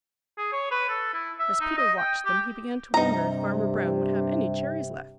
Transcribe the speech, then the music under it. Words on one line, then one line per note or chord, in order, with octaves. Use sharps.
As Peter watched them he began to wonder if Farmer Brown would have any cherries left.
G#4
C#5
B4
A4
E4
E5
D#4
D#5
G5
G4
G2 C3 D#4 A#5